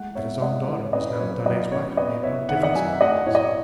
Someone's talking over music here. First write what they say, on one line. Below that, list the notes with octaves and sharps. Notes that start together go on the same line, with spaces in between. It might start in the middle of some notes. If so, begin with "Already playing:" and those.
That his own daughter was now Darnay's wife made no difference in their eyes.
Already playing: G#3 A3 F#5
B3 C#5 E5
E5
G#3 D#5 F#5
E3 B4
C#5
C#4 B4 D#5
B4
F#3 C#5
B4
C#5
F#3 B4 D#5
C#4 C#5
B3 B4 D#5
B3 C#5 E5
D#3 F#5
E5
D#5 F#5
F#3 E5 G#5
E5
A3 D#5 F#5
A2 C#5
D#5
C#5